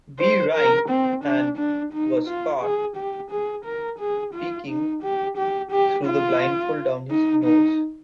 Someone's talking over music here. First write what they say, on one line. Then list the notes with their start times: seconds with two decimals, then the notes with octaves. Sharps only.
B. Rhine and was caught peeking through the blindfold down his nose.
0.20 C5
0.55 A#4
0.89 C4
1.24 D4
1.58 D4
1.93 D#4
2.27 F4
2.61 G#4
2.97 G4
3.31 G#4
3.65 A#4
3.99 G#4
4.34 F4
4.69 D#4
5.03 G4
5.38 G4
5.72 G4
6.06 F4
7.11 D#4
7.44 D#4